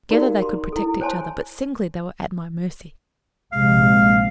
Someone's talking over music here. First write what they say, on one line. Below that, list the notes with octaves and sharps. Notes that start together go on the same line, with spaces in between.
Together they could protect each other, but singly they were at my mercy.
D#4 F#4 G4 A#4 D5 F5
C6
E4 A4
C5 C#5 G#5 A5 C6
A#1 C3 G#3 F5